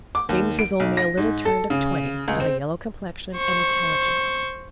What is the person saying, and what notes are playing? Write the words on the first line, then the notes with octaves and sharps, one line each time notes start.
James was only a little turned of twenty, of a yellow complexion, and intelligent.
D6
D#2
D7
B1
A#6
G#2
A4
C#3
C#2
C4
C5 C#6